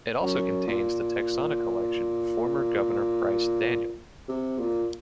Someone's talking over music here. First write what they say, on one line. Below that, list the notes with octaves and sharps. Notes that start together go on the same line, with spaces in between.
It also contains the Texana collection of former Governor Price Daniel.
F#2
A#2
C3
A#2